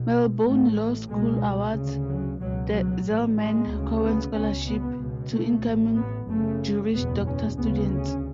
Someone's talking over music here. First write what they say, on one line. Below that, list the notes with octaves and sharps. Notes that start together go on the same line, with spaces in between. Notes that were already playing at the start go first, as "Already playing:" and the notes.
Melbourne Law School awards the "Zelman Cowen Scholarship" to incoming Juris Doctor students.
Already playing: B1 B2
A1 A2 A3
C#2 B2 G#3
D2 C#3
F#3
C#2 B2 F#3
F#3
A1 A2
G#3
D2 C#3
B3
C#2 B2 C#4
B3
C#2 B2
A3
A1 A2
B3
F#1 F#2 C#3 A3
F#1 E2 B2 B3
C#4
D2 C#3 B3
C#4